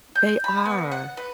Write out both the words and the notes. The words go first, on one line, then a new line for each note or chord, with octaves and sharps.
They are.
G6
B5
B3
F#5
B4